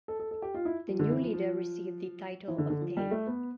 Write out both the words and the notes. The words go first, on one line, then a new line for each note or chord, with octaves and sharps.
The new leader received the title of dey.
A4
A4
A4
G4
F4
E4
F3
D3
E3
F3
F3
E3
D3
D3
F3
G3
A3
B3